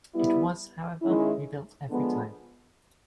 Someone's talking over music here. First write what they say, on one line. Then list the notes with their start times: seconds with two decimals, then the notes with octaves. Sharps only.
It was, however, rebuilt every time.
0.15 G3 B3 E4
1.02 D#3 G#3 C#4 E4
1.90 D3 F3 G#3 B3